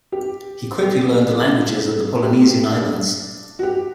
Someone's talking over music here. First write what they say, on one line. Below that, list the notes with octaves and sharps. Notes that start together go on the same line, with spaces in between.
He quickly learned the languages of the Polynesian islands.
G4
G4
G4
G4
D4
F#4
G4